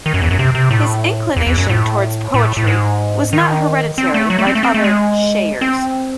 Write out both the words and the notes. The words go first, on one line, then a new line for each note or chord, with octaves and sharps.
His inclination towards poetry was not hereditary like other "shayars".
D#3
F#2
E2
F#2
C3
C3
A2
E2
E2
F#2
A2
A2
A2
G#2
D#3
C4
A3
F#3
A3
C4
A3
C4
A3
G#3
C4